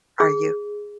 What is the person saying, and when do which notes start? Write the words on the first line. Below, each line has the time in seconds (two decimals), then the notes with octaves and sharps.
Are you?
0.20 G#4